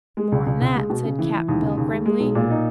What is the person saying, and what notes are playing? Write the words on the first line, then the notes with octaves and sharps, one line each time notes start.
"More'n that," said Cap'n Bill, grimly.
G#3
C#2
C#2
C#2
G#3
B2
C#3
E3
E3
D#2
C#3
D#2
G#3
G#3
B1
A#2
D#4